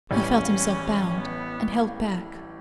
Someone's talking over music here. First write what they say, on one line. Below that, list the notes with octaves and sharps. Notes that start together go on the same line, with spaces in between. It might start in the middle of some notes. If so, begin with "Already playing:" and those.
He felt himself bound and held back.
A1 A2 E3 G3 C#4
B3